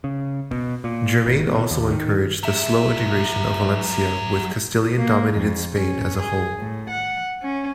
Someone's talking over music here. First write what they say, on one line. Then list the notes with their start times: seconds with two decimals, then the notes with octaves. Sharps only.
Germaine also encouraged the slow integration of Valencia with Castilian-dominated Spain as a whole.
0.04 C#3
0.51 B2
0.84 A#2
1.25 G#1
1.47 B2
1.71 D#2
1.90 D#3
2.43 F#3 E5
4.98 A#3
5.33 F2
5.73 C#4
6.18 G#4
6.60 A2
6.90 F#5
7.42 C#4